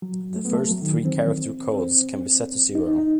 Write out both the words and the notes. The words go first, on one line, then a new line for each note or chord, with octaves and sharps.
The first three character codes can be set to zero.
F#3
A3
B3
A3
F#3
D#3
E3
C4
C4
D#4
D#4
D#4